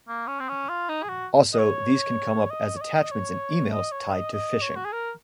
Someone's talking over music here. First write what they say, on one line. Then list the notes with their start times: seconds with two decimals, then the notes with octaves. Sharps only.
Also, these can come up as attachments in emails tied to phishing.
0.08 A#3
0.27 C#4
0.40 C4
0.49 C#4
0.69 F4
0.89 D#4
1.03 G#4
1.09 F#4
1.53 D#5
1.58 C#5
2.45 C#5
2.50 D#5
2.77 C#5
2.81 D#5
3.11 C#5
3.72 D#5
3.92 C#5
4.11 D#5
4.32 D#5
4.62 C#5
4.76 F#4
4.85 G#4
4.93 A#4